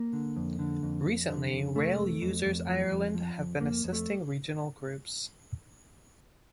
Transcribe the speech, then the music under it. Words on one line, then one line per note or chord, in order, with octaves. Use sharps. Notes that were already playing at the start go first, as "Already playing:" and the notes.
Recently Rail Users Ireland have been assisting regional groups.
Already playing: A#3
D3
F2
D3
F2
F2
D3
F2
C3 A3
F2
F2
F2
F3
F2
F3
F2
F2 A#3
F2
A3